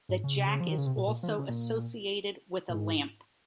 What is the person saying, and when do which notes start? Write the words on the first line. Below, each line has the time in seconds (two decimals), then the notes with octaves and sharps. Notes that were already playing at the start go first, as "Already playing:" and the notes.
The jack is also associated with a lamp.
0.09 G#2
0.24 C#3
0.36 C3
0.47 C#3
0.60 F3
0.69 D#3
0.78 C#3
0.86 C3
0.97 A#2
1.07 A#2
1.23 F3
1.28 D#3
1.38 C#3
1.49 A#2
2.69 A#2
2.73 G#2